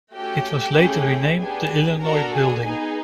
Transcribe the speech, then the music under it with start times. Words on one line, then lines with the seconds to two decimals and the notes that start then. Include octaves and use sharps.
It was later renamed the Illinois Building.
0.15 A3 C#4 F#4 G4 A4 G5
0.77 A3 C#4 E4 G#4
1.39 B3 D4 G4 G#4 G#5
2.02 D4 F#4 A4 A#4 A#5
2.33 G#4 G#5
2.64 B3 D#4 G#4